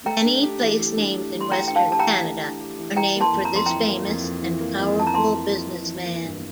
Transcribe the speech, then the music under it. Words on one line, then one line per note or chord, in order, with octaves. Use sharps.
Many placenames in Western Canada are named for this famous and powerful businessman.
A3 G5 A#5
D4
G4
E3
A3
D4
G4
E3
C6
A3 G5 A#5
D4 G5
F5 A5
G4 A5
G5 A#5
E3
A3
D4
G4
E3
E3 G5 A#5
A#3
A5 C6
F2
A#5
F2 C6
E3 G5 A#5
A#3
F2
F2
E3
A#3
F2
F2 A5
A#5
E3 A5 C6
A#3
F2
F2
E3
A#3
G2